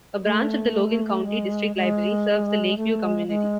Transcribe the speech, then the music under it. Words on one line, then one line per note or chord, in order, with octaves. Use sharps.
A branch of the Logan County District Library serves the Lakeview community.
A3
G#3
G#3
A3
G#3
G#3